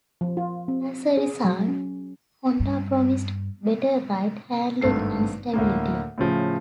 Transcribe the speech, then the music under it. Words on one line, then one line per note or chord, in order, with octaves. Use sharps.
As a result, Honda promised better ride, handling and stability.
F3
F4
C4
G#4
F#3
C#4
G2
G#1 G2 A3 C7
D2 A2 A#3
A2 C#3 F3